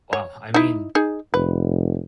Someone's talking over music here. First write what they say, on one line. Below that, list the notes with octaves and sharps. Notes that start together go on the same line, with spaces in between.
Wow, I mean,
C#5
D#4 E4
D#4 G#4
F1 B4